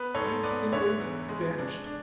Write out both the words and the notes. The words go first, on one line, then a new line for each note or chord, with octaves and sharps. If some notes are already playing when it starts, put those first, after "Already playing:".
He simply--vanished.
Already playing: B3 B4
G#2 A4 C#5
B3 B4 D5
D3 C#5 E5
E2
G#3
D4
D4